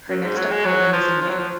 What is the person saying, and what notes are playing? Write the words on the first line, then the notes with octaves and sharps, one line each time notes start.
Her next appointment is in May.
F#2
G#2
F#3
G#3
F#3
F3
F3
F#3
F3